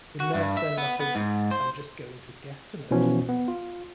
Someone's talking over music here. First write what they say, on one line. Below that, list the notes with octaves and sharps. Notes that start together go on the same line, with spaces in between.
The nurse then mutters, I'm just going to guesstimate.
F#4
G2
E5
B3
B3
G#2
C5
B2 E3 F3 C#4
B3
F4